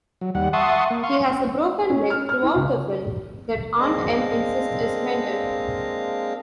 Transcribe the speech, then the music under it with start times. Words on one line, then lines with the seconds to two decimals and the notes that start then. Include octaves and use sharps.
He has a broken leg throughout the film that Aunt Em insists is mended.
0.21 F#3
0.35 D#2 G3 F#5
0.53 E5 F#5 A5 C6 C#6 D#6
0.90 A#3
1.03 F5 C6 C#6
1.90 C#4
2.10 F6
2.29 F6
2.43 E4
2.55 C#2
3.79 G#3 A#3 C4 D4 D#5 F5